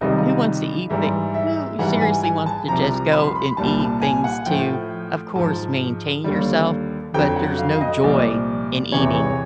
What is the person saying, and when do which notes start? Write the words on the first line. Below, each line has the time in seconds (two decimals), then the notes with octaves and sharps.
Who wants to eat thi who seriously wants to just go and eat things to, of course, maintain yourself, but there's no joy in eating.
0.01 C#2 C3 D#3 G3 D#5
0.90 G#2 E3 G3 E5
1.34 E5
1.79 G#2 E3 G3 F#5
2.01 G#5
2.24 G#5
2.46 A5
2.68 C2 C3 F3 A#5
3.13 B5
3.24 C6
3.36 B5
3.57 C2 A#2 G3 A5
3.80 A5
4.02 G#5
4.24 F#5
4.46 A2 F3 G5
5.36 G#2 F3 A5
6.24 D#2 D3 G3
7.14 F2 D3 F#3 G5
7.36 F#5
7.58 F5
7.81 D#5
8.04 C2 A#2 F3 D5
8.92 E2 C3 E3 C#5
9.15 C#5